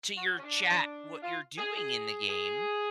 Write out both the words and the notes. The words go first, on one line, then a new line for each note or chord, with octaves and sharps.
to your chat what you're doing in the game,
F#4
C#4
D4
D4
F4
G#4
G#4
G#4